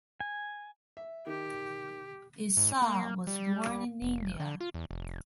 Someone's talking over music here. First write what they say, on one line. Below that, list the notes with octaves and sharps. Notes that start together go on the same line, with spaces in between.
Issar was born in India.
G#5
E5
D#3 G4
G#2
A#3
G3
F1
D3
F4
E2
F1